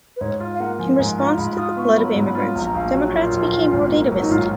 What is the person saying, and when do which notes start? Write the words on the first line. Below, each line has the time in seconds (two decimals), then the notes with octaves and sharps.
In response to the flood of immigrants, Democrats became more nativist.
0.16 B4
0.21 G#2 C#5
0.40 F4
0.55 F5
0.60 A#3 F#5
0.79 F3 G#5
0.99 G#2 G#5
1.18 F4 A#5
1.38 G#2 B5
1.57 F4 D#6
1.77 B3 C#6
1.97 F#3 B5
2.16 G#2
2.26 B5
2.35 F4
2.55 A#1 A#5
2.74 A#1 F5
2.94 F#3 F#4
3.14 A#2 F4
3.34 A#1
3.53 A#1
3.72 G#1
3.92 A#3
4.12 F#3
4.21 D#4
4.31 G#2 F4